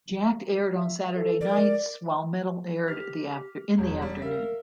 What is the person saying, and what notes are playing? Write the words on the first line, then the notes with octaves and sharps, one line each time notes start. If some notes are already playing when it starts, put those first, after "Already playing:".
"Jakked" aired on Saturday nights while "Metal" aired in the afternoon.
E5
A4
A#4 D5
G4 F6
E1 C2 C#5
G3
A#4 E5 F5